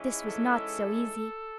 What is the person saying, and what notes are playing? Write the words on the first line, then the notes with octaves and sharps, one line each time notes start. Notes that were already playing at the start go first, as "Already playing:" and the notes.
This was not so easy.
Already playing: G#2 E3 G#3 C#4 E4
A4